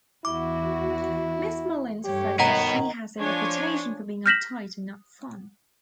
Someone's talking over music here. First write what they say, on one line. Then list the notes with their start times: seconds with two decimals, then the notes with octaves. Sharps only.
Miss Mullins frets that she has a reputation for being uptight and not fun.
0.25 E2 E4 F#4 D6
2.04 G2 A3 G4 C#5
2.39 B2 D#3 B3 D#5 F#5 A#5
3.19 F3 D4 C#5 G#5
4.26 F6 G6 A#6 B6 E7 F#7